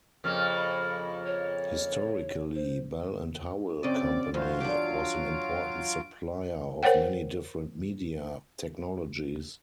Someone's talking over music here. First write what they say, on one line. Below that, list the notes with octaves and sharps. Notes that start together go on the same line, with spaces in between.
Historically, Bell and Howell Company was an important supplier of many different media technologies.
F2 C#3 A#3 F6
B5
C#5
C5
F#2 C#3 C4 D5 D#5 D6
E2 G2 F#3 G#3 F4 C5
D4 G4 D7
A#4 C5 C#5 F#5 G5